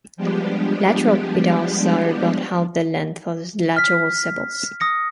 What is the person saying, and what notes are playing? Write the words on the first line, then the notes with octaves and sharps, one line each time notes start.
Lateral petals are about half the length of the lateral sepals.
F3 G3 G#3 B3 D4 G4
F6 B6
D#6 A#6 C#7